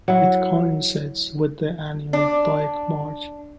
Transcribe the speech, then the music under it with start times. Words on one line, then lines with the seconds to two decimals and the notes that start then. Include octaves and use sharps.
It coincides with the annual Dyke March.
0.08 F#3 E4
2.13 D4